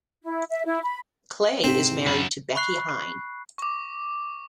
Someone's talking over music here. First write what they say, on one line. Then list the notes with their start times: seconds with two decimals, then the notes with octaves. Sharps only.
Clay is married to Becki Hine.
0.24 E4
0.50 E5
0.65 E4
0.84 B5
1.64 G#2 C3 C4 B6
2.07 F#2 F#3 B5 A6
2.55 B5 C#6 F#6 C7
3.58 C#6 D6